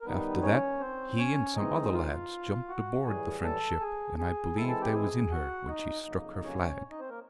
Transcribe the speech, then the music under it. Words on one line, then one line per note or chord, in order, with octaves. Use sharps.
After that he and some other lads jumped aboard the French ship, and I believe they was in her when she struck her flag.
A#4
D#3 G3 B3 D#4 B4
C#4 C#5
C4 C5
C#4 C#5
E3 G#3 C4 D#4 D#5
F4 F5
F#4 F#5
A2 E3 G3 G#4 G#5
A4 A5
G#4 G#5
G#4 G#5
E3 G#3 C4 E4 A4 A5
A4 A5
G4 G5
G#4 G#5
F#4 F#5
D#4 D#5
F2 C#3 F#3 A#3
C#4 C#5
D#4 D#5
C4 C5
A#3 A#4